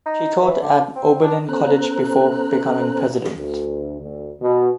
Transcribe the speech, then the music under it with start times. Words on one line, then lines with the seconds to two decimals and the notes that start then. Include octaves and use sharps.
She taught at Oberlin College before becoming President.
0.06 D#4
0.41 E3
0.61 D3
0.96 C4
1.22 D4
1.49 B3 C#4 A4 C5 A#5 F#6
3.37 D2
4.00 D2
4.42 B2